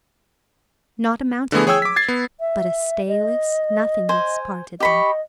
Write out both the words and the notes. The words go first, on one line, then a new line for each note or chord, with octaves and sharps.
Not a mountain-range, but a stayless nothingness parted them.
D3 E3 A3 B3 G#4
G#4 C#5 G5 E6 G#6
D6 B6
G#6 A6 C7
B3
E5
D#5
C5 G#5
G4 D#5 B5 C#6